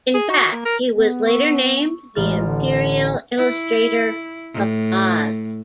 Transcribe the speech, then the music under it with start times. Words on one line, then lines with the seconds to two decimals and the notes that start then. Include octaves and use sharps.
In fact, he was later named the Imperial Illustrator of Oz.
0.14 G#4
0.30 F#4
0.52 A#3
0.66 A#4
0.92 B3
1.26 C#6 E6
2.15 A1 G#3 F6 A6
2.45 D3
3.37 E4
4.53 A2